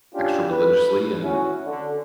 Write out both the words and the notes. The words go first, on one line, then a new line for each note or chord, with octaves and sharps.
extra religiously and,
C#4 D4 F4 G4
B4
C#4 E4 F#4
D3